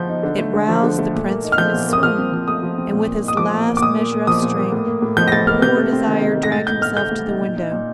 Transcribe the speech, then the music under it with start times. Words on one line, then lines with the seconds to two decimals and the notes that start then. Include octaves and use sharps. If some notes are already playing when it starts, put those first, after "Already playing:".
It roused the Prince from his swoon, and with his last measure of strength, poor Desire dragged himself to the window.
Already playing: F3 G6
0.08 D#4
0.23 D3
0.39 A3
0.54 D3
0.68 F3
0.83 D3
0.99 A3
1.14 A#2
1.28 A#3
1.43 D#4
1.52 F6
1.58 F3 G6
1.73 A#2
1.88 A#3 D#6
2.03 F3 F6
2.18 C4
2.32 F3
2.48 A3 D#6
2.63 F3
2.78 C4
2.93 A#2
3.08 A#3
3.23 D#4
3.28 D#6
3.37 F3 D6
3.53 A#2
3.68 A#3
3.77 D6
3.82 A#2 D#6
3.97 A#3
4.12 A#2
4.27 F3 D#6
4.42 A#2
4.57 A#3
4.72 A2
4.87 A#3
5.02 A2
5.17 F3 G6
5.28 A#6
5.32 A2 A6
5.47 A#3 F6
5.62 C3 G6
5.77 A3
5.92 C4
6.07 D#3
6.21 C3
6.37 A3
6.43 A#6
6.52 A2 A6
6.67 D#4 G6
6.81 A2 F6
6.97 A3 G6
7.11 A2
7.27 D#4
7.41 A#2
7.56 D#4
7.71 A#2